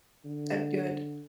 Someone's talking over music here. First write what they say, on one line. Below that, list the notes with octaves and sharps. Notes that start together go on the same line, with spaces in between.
That good.
D3